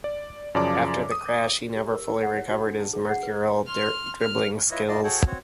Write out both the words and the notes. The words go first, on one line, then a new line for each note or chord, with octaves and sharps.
After the crash he never fully recovered his mercurial dribbling skills.
D5
F#2 C#3 F3 D5 A5 D6
D#6
G4
A#4
E4
F#5
C#5
F#4
D4
A5
G#4
F#5
B4
C6 F6
F6
E4 F4 B4 C#5 D#5 E5
D#4 F4 D5 D#5 A5 C6
F#4 G#4 A4 C#5 F#5 G5
C4 F#4 C#5